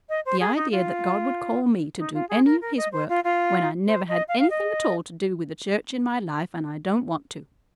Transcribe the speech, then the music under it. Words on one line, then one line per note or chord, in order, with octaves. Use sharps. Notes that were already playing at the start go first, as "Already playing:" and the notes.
The idea that God would call me to do any of His work when I never had anything at all to do with the church in my life, and I don't want to.
D#5
C5
G#4
D#4
F4
D#4
F4
G#4
A#4
A#4
D#5
C5
F4
F4
C5
D#5
F5
F5
D#5